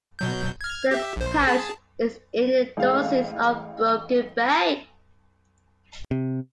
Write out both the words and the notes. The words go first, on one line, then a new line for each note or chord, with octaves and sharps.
The parish is in the Diocese of Broken Bay.
B2 F#3 G6
F6 G#6
G4 E5
A#1 C5
G#4 A5
A1 G#3 F5
C3